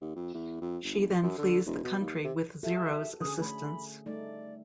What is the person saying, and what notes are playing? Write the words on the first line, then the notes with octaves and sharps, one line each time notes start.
She then flees the country with Zero's assistance.
D#2
F2
E2
F2
G1
F#2
D3
E1
B2
D#2
C3
F#4 G4 A4 E5
D3 C#4 G#4 D#6
A3 B5
G3 A3 D#4 D5